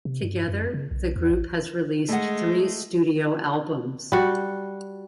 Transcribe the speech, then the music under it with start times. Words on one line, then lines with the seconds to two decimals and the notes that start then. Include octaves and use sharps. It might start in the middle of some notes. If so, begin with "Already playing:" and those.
Together the group has released three studio albums.
0.05 C3
0.22 G2
0.48 F#2
0.73 C#3
0.91 B1
1.16 E2
1.30 A1
2.08 G#3 A3 F#5
4.12 G3 F#4